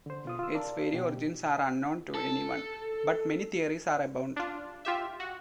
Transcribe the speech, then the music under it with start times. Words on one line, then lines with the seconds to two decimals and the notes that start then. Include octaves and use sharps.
Its very origins are unknown to anyone, but many theories are abound.
0.06 D3 C5
0.25 B2 F4 D#6
0.39 F4 E6
0.55 A#4 D5 F5 A5
0.93 B2 G4
2.15 A4
4.36 D4 F4
4.85 F4 G4 E5
5.20 F#4